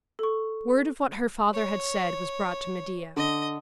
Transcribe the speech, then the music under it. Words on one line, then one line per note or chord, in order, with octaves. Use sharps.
Word of what her father had said was brought to Medea.
A4 C#6
C#5
D3 D#5